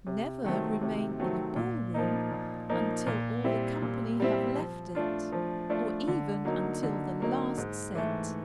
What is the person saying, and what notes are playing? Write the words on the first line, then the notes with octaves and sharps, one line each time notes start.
Never remain in a ball room until all the company have left it, or even until the last set.
C3
D#3 F#3 A3 C4
C3
D#3 F#3 A3 C4
A#2
F3 A#3 D#4
A#2
F3 A#3 D#4
A#2
G3 C4 E4
A#2
G3 C4 E4
F3
A3 D4 F4
F3
A3 D4 F4
D3
F#3 A#3 D#4
D3
F#3 A#3 D#4
G#2
E3 A3